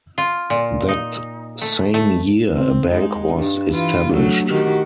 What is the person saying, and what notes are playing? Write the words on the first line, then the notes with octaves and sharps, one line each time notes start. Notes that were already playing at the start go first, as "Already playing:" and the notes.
That same year, a bank was established.
F4
A#2
D#4
A3
A3
C4
G#3 D#4
G2
E3 F4
F#3 A3 D4
D#3 F#4 G4